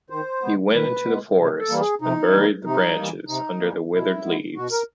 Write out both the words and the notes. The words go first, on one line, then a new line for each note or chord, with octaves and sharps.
He went into the forest and buried the branch under withered leaves.
D#3 C5
G#3 B3
D#3 B4
G#3 B3
C3
A4
E3 G3 A#3
G#4
C3 D#4
E3 G3 A#3
C3 D#4
E3 G3 A#3
C3 D#4
E3 G3 A#3
B2 E4
G#3 B3
B2 F#4
A#4